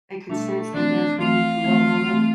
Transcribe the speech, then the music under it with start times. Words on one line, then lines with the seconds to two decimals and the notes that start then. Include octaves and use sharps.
They can sense they're there for you; you can rub on 'em,
0.29 B2 G3 A3 D4
0.73 E3 A3 C4 D4
1.19 E3 A3 C4 F4
1.64 E3 A3 C4
2.09 E3 A3 C4